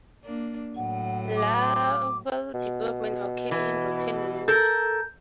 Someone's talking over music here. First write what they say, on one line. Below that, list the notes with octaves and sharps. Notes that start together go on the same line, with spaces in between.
Larval development occur in rotten wood.
A#3 D4
A2 F#3 F#5
D6
B2
E3
A4 A#4 G6